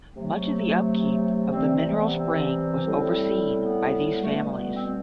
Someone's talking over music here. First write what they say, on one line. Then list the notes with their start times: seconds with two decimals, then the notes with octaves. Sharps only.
Much of the upkeep of the mineral spring was overseen by these families.
0.13 C3 F#3 A3
1.49 C3 E3 G3 C4
1.73 A3
1.95 B3
2.18 C4
2.85 A2 G3
3.54 B3
4.10 B3
4.21 B2 G3 A3
4.39 A3
4.55 B3
4.73 C4